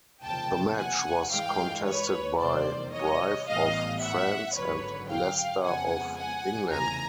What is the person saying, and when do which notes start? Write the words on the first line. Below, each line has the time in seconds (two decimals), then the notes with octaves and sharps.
The match was contested by Brive of France and Leicester of England.
0.22 F1 D#2 C#3 F3 G5 A5
0.76 F#5 G#5
1.30 G2 E3 G#3 F5 G5
1.84 B4 C#5
2.39 F1 E2 C3 D#3 G3 C5 D5
2.92 C#5 D#5
3.46 A1 A2 E3 G3 B3 D#5 F5
4.00 E5 F#5
4.54 G#1 F#2 D3 F#3 B4 C#5
5.08 F5 G5
5.62 F2 C#3 F3 G#3 B3 F#5 G#5
6.16 F#5 G#5
6.70 F1 E2 C#3 G#5 A#5